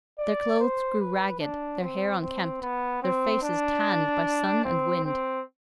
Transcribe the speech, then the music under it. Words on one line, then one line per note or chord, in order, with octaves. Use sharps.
Their clothes grew ragged, their hair unkempt, their faces tanned by sun and wind.
D5
C5
B4
D4
C4
C4
B3
C4
D4
C4
C4